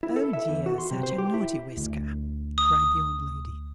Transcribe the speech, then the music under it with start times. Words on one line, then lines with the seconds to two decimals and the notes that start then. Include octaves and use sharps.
'Oh dear, such a naughty Whisker!' cried the old lady.
0.03 E4
0.16 A4
0.33 E5
0.48 E2
0.66 F#4
0.78 C6
0.91 C3
1.03 C5
1.18 G4
1.34 E4
1.77 D2
2.58 D#6